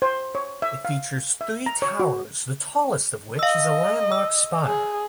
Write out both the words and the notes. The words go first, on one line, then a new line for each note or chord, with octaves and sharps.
It features three towers, the tallest of which is a landmark spire.
C5
C#5
E5
F5
E5
A#5
C#5
F#4
D#5 F5 E6
E6
G#4